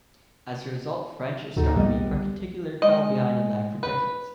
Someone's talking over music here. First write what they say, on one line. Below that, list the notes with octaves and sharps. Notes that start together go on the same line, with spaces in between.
As a result, French astronomy in particular fell behind and lagged for decades.
D2 D#4 F#4 A4
C2 G3 B3 D#5
G#3 D#5
B4